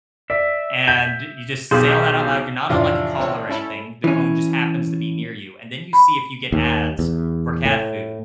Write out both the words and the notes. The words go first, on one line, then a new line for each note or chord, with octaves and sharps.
and you just say all that out loud, you're not on like a call or anything, the phone just happens to be near you, and then you see if you get ads for cat food,
D5 E5
G6
B1 G4 G#4 C5 D#6
A1 F2 A2 C3 D4 F4
C#2 C4 C#5
C#4 E4 A4
E3 C#4
B5
D#2
E2
A2